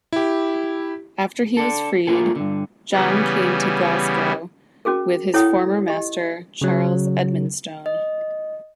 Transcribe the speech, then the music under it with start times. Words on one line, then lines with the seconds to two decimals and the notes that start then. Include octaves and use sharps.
After he was freed, John came to Glasgow with his former master, Charles Edmonstone.
0.13 E4 G4
1.57 D4 A4
2.07 A3 A#3 F4 G#4 A4
2.36 G2 D3
2.93 C#3 E3 G3 B3
4.85 C#4 F#4 G#4 A#4
5.34 E4 A4 C#5 F#5 G5 D#6
5.88 G4 D#5
6.61 C#3 F#3
7.86 D#5